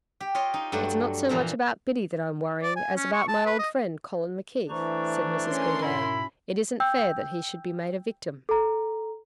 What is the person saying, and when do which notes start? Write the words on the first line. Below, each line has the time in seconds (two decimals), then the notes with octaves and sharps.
'It's not so much about Biddy that I'm worrying as about my old friend, Colin McKeith,' said Mrs Gildea. 'It isn't fair that he should be made a victim.'
0.20 G4
0.35 F4 C#5 D#5 C6
0.54 D#4
0.72 G2 F#3 A3 D4
1.29 A#2 E3 F3 A#5
2.63 D5
2.76 G#5
2.96 C#4
3.13 C#6
3.28 A5
3.46 B4
3.59 D#5
4.70 E3 A3 D4 C5 A#5 C#6
5.46 C#4 A#4 C5 C6
5.82 G#2 B2 E4 B5
6.80 G5 E6 G6
8.49 A4 A#5